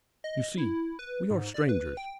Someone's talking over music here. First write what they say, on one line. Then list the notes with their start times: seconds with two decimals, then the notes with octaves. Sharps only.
"You see, we are strangers."
0.24 D#5
0.58 E4
0.99 B4
1.31 G#2
1.54 D5
1.69 B4
1.97 G5